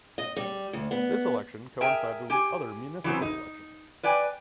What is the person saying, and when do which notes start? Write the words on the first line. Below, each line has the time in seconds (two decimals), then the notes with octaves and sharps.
This election coincided with other municipal elections.
0.18 D#5
0.36 G3
0.73 D2
0.91 B3
1.81 G#4 A#4 E5 G5
2.30 G4 G#5
3.04 E3 F#3 B3 C4
3.22 D#4
4.03 B4 D5 G5 G#5